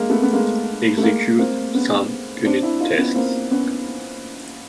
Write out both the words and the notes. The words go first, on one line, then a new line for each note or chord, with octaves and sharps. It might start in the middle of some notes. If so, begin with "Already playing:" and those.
Execute some unit tests.
Already playing: G#3 A#3
A3 B3
B3
G#3 A#3
A3
G#3 A#3
A#3 C4
B3 C#4
C4 D4
D4 E4
D#4 F4
B3 C#4
A#3 C4
B3 C#4